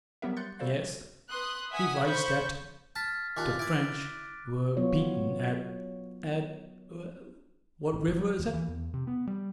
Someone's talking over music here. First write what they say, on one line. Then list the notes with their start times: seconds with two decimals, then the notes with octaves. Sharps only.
"Yes, he writes that the French were beaten at... at... what river is it?"
0.22 F#3 G3 B3 G4 A#4 E5
0.36 C6 F#6 G6 A6 C#7
0.59 G3 F#4 A4 C5 D5 F5
1.30 B4 C6 D#6 F#6
1.72 E5 F#5 G#5 D#6 B6
2.03 C5 B5 C#6 G6
2.96 A5 F6 A6 B6
3.37 D#2 A#2 D4 D6 F#6 A6
3.59 E4 D5 D7
4.77 F#3 B3 F4 C#5
7.93 A1
8.06 F1
8.19 F#3
8.39 D#2
8.53 E3
8.68 E2
8.94 C3
9.07 B3
9.27 G3